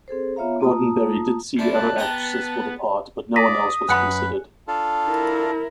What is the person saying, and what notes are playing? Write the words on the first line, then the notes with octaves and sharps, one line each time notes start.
Roddenberry did see other actresses for the part, but no one else was considered.
C4 G#4 A4 C5
B3 F4 C#5 E5 F5 A#5
A3 A#3 F4 A5 A#5 D#6
C3 D4 E4 A5
A5 F#6
B3 G4 A#5 C6
D5 D#6 A#6 B6 D#7
F#2 B4 F#5 G#5 B5 F#6 C#7
D4 F4 A4
E4 A#4